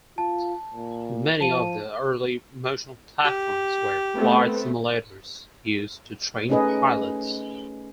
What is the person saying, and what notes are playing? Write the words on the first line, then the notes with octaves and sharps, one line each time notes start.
Many of the early motion platforms were flight simulators used to train pilots.
F4 A5
A#2
F3 A5 D#7
G4
A3 B3 C4
A3 C#4 D#4 G#4 B4 D#5